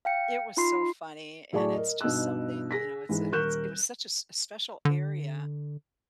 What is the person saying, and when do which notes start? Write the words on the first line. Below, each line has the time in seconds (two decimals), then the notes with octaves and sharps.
it was so funny, and it's just something, you know it's a it's it was such a s special area,
0.05 F5 G5 C#7
0.57 D#4 F4 B5 C6 C7
1.53 A2 F#3 G#4 D5 A5 C#6
1.73 A#4 D#5
2.01 G2 B2 D#4 D#5 E6 F#6
2.71 G#4 A#6 B6
3.09 G#2 E3 G#3
3.32 D#1 A#4 C#6 F#6 G6 E7
4.85 D3